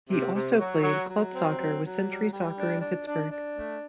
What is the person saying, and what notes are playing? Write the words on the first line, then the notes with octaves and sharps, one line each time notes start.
He also played club soccer with Century Soccer in Pittsburgh.
C3
C3
F#3
F#3
F#3
C4
F#3
F#3
G3
G3
D4
D4
D4
D4
A3